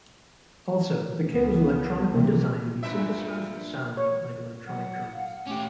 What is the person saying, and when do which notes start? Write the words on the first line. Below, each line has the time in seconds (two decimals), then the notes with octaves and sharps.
Also, the kit was electronically designed to be "synthesized" to sound like electronic drums.
1.30 C#2 B3
2.11 C3 E3
2.83 G2 A#2 E5
3.97 C#5
4.66 F#3 F#5
5.13 F5
5.47 A3 C#4 G4 D6